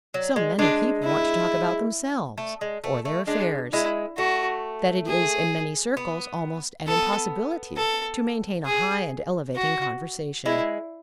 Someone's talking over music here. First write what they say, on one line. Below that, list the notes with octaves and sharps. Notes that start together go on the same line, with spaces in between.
So many people want to talk about themselves, or their affairs, that it is in many circles almost an impossibility to maintain a high and elevating conversation.
F#3
G#3
G#3 D4
E4
A3
G#3
A3
A3
G#3 D4
G#3 E4
A3 F#4
G#4
B3
B3 A4
A4
G#4
F#4
G#3 E4